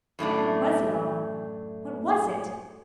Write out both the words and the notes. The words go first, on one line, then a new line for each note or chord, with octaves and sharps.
What was it all--what was it?
F#2 A2 A3 D4